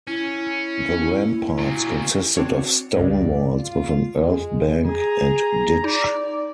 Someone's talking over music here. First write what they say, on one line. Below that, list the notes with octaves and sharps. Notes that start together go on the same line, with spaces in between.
The ramparts consisted of stone walls with an earth bank and ditch.
C#4 E4
A#2 F#3
C4 D4 F#4 C#5
C#2 G2 D5
F4
G#3
G#4 A#5
D#4 D5